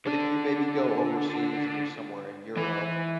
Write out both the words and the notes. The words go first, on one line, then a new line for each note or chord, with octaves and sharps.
But if you maybe go overseas and you're somewhere in Europe,
D3 D4
E3 E4